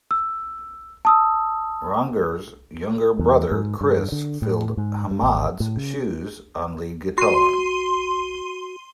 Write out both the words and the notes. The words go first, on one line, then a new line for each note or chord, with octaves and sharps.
Rogner's younger brother Chris filled Hamada's shoes on lead guitar.
E6
A5 D#6 E6
E2
G#2
G2
D3
A2
G#2
G2
G#1
A2
C#3
F#4 C6 D#7